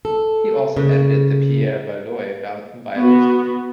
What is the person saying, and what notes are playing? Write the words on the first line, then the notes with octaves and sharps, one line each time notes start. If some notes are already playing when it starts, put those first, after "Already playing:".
He also edited the Pierre Baillot Violin School.
A4
C#3
B3 F#4